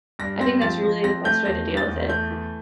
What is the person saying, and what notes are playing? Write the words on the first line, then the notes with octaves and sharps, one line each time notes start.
I think that's really the best way to deal with it.
G2 A#6
C4 A#6
F3 A6
F3
C4 A#6
A3 G6
E2 A#6
E3
A6
E2
A3 G6
E3